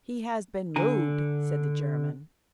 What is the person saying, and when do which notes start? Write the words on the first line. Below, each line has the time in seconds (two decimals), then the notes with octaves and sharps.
"He has been moved," said the German.
0.76 D3 G#5 A#5